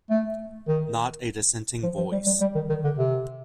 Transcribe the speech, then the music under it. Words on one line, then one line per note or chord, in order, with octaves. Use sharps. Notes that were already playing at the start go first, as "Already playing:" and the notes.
Not a dissenting voice.
A3
D#3
F3
F3
G3
G3
G3
D#3
D#3
D3
C3